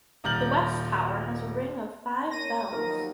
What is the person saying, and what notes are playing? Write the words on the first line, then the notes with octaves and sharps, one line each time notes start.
The west tower has a ring of five bells.
D#1 A#5 F6 G6 A6 F#7
A#3 C#4 C#5 A#6 D#7
D#2 F3 F#3 B3 D#4 A#4